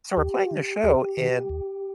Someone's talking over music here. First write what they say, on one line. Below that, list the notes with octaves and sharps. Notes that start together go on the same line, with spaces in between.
so we're playing the show, and
D#2 G4
D#3
D#2 G4
D#3
D#2